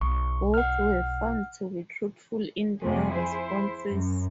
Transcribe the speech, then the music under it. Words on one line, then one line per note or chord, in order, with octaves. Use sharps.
Both were found to be truthful in their responses.
B1 C#6
F#5 F6
F2 C3 A3 G#4
E4 C5
F#2